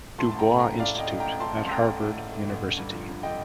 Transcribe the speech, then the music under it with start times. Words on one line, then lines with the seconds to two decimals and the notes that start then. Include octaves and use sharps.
Du Bois Institute at Harvard University.
0.18 A2 A5 C6
0.31 A1 A5
0.39 G5 A#5
0.49 A3
0.59 G5 A#5
0.64 A1
0.80 A2 D5 F5
0.94 A1
1.00 D#5 G5
1.10 A3
1.20 G5 A#5
1.25 A1
1.40 A2 A5 C6
1.56 A1
1.66 C6
1.71 A3 G5 A#5
1.87 A1
2.01 A2
2.17 A1
2.32 A3
2.47 A1
2.62 D3
2.77 G2
2.93 F3
3.08 G2
3.23 D3 D#5 G5